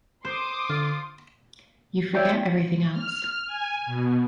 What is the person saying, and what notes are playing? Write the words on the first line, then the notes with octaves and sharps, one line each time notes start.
You forget everything else.
C5 C6 D6 D#6
D3 F4
C#5 D5 E5 G5
F6
G#5
B2